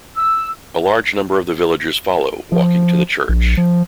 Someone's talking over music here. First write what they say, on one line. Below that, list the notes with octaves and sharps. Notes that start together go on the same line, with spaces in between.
A large number of the villagers follow walking to the Church.
E6
F3
A#1
F3